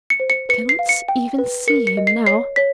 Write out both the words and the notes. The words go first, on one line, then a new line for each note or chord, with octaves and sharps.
I cannot even see him now.
C#7
C5
C#7
B4 C#7
C7
F5
C#7
G5
B4
A#4 C#7
C#7
D#5
C7
C#5 C7
C#5 B6